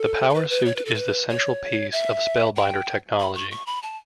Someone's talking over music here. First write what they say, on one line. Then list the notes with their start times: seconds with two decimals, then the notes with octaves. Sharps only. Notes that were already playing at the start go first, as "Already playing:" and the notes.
The power suit is the central piece of Spellbinder technology.
Already playing: A4
0.30 A4
0.34 B4
0.50 B4
0.65 C#5
0.76 B4
0.85 A4
0.94 B4
1.30 C#5
1.92 E5
2.56 G5
3.20 B5
3.35 C#6
3.51 C#6
3.66 B5
3.83 A5